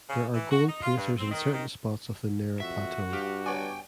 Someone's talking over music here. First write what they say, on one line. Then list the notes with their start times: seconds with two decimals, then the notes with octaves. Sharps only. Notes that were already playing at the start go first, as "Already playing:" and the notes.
There are gold placers in certain spots of the Nera Plateau.
0.08 C#3
0.33 E3
0.50 F#4
0.68 D#4
0.82 F4
0.97 G2
1.17 C4
1.30 D#3
1.51 D#3
2.60 F2 F#4 E5
3.13 G2 G4 F5
3.46 B3 C#5 D5 G5 G#5